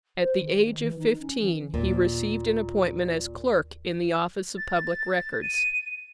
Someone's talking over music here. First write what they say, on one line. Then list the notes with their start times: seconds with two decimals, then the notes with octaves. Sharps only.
At the age of fifteen he received an appointment as clerk in the office of Public Records.
0.18 C5
0.39 D#3
0.81 E3
0.98 D#4
1.19 C#4
1.40 E3
1.74 D#2 A#2
4.58 A6
5.18 A6
5.42 D#7